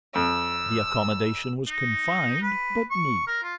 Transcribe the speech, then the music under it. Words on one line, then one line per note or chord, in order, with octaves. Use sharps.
The accommodation was confined, but neat.
F2 E6
D#4
B4
C#6
A#4
F4